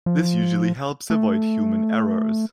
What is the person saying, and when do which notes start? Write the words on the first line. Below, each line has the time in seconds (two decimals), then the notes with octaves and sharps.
This usually helps avoid human errors.
0.06 F3
1.10 A3